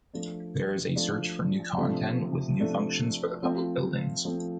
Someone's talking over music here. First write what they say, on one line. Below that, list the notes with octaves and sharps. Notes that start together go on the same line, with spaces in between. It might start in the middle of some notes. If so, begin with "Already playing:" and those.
There is a search for new content with new functions for the public buildings.
F3 A3 D4
F3 A3 D4
C3 F3 A3 D4
C3 F3 A3 D4
F3 A3 C4 F4
F3 A3 C4 F4